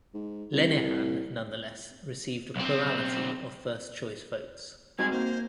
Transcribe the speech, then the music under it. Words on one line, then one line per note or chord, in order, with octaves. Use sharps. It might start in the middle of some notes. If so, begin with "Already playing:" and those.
Lenihan nonetheless received a plurality of first-choice votes.
G#2
C2
B1 C4
G3 G#3 C4 D#4 F#4 G#4 G#6
A#3 C5